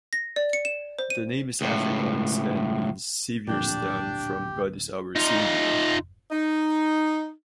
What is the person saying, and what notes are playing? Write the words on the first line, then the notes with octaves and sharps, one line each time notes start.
The name is Afrikaans and means "Saviour's Town", from "God is our Saviour".
A#6
D5
C#7
E7
C5
D#7
C#2 A2
D1 F2 A#2 D4 G4
D#4 F4
D#4